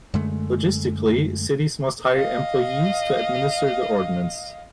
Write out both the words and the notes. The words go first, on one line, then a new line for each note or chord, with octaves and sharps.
Logistically cities must hire employees to administer the ordinance.
F#2 D3 G#3 A3
D#5 F5